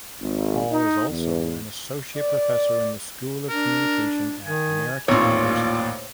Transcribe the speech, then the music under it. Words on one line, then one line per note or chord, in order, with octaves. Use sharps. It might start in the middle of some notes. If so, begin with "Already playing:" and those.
Hall is also an associate professor in the School of Communication at American University.
G#1
D#4
E2
D5
D4 A#4
D#3 G#5
A1 D#2 A#2 C4 F4 C#5 D5